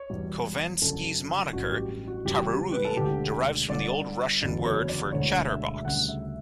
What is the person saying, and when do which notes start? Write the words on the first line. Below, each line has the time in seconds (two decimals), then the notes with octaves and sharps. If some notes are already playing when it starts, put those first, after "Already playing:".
Khovansky's moniker, Tararui, derives from the old Russian word for "chatterbox".
Already playing: C#5
0.10 E2 B2 G3
0.81 F#1 F#2 D3 A4
1.53 A1 G2 F#3 F#4
1.71 G4
2.07 F#4
2.25 E2 C#3 E3 G3 G4
2.34 F#4
2.41 G4
2.72 B4
2.85 A4
2.97 E1 D2 D3 G4
3.68 G1 G2 D3 D5
4.41 F#1 E2 D3 F#3
4.65 C#5
4.89 D5
5.13 E1 D2 D3 C#5
5.49 E5
5.84 D2 C#3 G3 F#5
6.08 E5